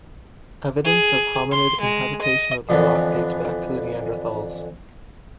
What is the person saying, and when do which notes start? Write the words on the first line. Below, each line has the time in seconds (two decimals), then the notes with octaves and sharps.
Evidence of hominid inhabitation of the Rock dates back to the Neanderthals.
0.85 G#4
1.52 C6
1.81 G#3
2.22 D#5
2.69 F2 D3 E3 B3